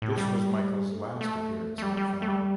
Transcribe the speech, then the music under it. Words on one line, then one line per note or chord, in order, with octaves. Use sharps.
This was Michael's last appearance in a film.
A2
G3
A3
A3
A3
G3
G3
A3
G3